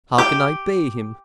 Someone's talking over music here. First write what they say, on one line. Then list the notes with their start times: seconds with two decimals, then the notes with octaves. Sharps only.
How can I pay him?
0.18 G4